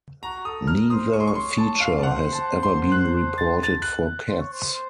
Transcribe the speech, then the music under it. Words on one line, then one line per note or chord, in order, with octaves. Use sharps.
Neither feature has ever been reported for cats.
F#4 A#5
A4 D#6
A#4 F6
C5 D#6
C#5 C#6
C6
C#6
C6
A5
F5
A5
C5 F#5
A5
C6
F#6
A6
A6
F#6
C5
C#5
C5
C5